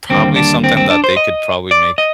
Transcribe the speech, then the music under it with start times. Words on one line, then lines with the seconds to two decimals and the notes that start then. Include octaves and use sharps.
probably something that they could probably make
0.10 D#2 D3 G3 A#3 C4
0.36 D4
0.64 C4
0.77 C4
0.90 D4
1.04 C5
1.17 D#5
1.71 D5
1.98 D#5